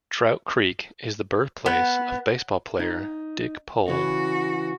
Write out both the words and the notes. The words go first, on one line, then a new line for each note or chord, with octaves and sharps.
Trout Creek is the birthplace of baseball player Dick Pole.
B3
D#4
C#3 E3 F#4